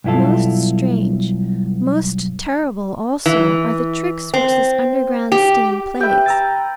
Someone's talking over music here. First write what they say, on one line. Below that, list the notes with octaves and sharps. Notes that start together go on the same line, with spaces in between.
Most strange, most terrible also, are the tricks which this underground steam plays.
B1 G2 E4 F4 A4
E3
C4
G4
G4 B4 E5 G5
A#5 E6 A6